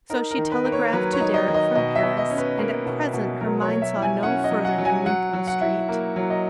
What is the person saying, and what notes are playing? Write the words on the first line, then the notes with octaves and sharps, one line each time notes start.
So she telegraphed to Deryck from Paris, and at present her mind saw no further than Wimpole Street.
D#4 A#4
A#4
D#3
B4
A#3
C#5
F#3 B4
C#5
D#4
D#5
D#3
D#5
B2 D#5
E5
B2
D#5
C#4
B4
A#3
B2
B2
F#3 A#4
C#5
F#3
E5
E4
G#5
C#4 F#5
D#5
F#3
F#5
F#3
G#5
F#3 F#5
F#3
F#5
E4
A#3
F#3
D#5